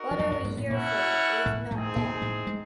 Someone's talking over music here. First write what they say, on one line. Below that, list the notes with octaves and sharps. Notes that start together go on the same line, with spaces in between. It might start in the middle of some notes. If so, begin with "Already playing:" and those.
What are we here for, if not that?
Already playing: D#4 F#4 A#4
F3
F#2 F#3
G2 G3
G#2 G#3
A2 A3
A#2 A#3 C#4 E4 A4 C#5 F#5
A2 A3
A2 A3 C4 D#4 G#4
A#2 A#3
A2 A3
G#3